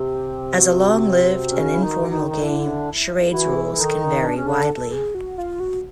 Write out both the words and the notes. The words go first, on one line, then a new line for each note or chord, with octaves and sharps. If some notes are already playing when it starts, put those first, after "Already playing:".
As a long-lived and informal game, charades' rules can vary widely.
Already playing: C3 C4 G4
F#4
C#3 C#4
E4
D#3 D#4
D#3 D#4
D#4
D3 D4 E4
E3 E4 F#4
G#4
D#3 D#4 A4
D4 G#4
C#4
D3 D4 A4
A4
G#4
F#4
F4
F#4